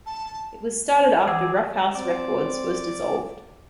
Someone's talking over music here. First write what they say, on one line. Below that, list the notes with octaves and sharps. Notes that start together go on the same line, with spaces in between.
It was started after Ruffhouse Records was dissolved.
A5
E3 G#4 D5 F#5 E6
C4 D5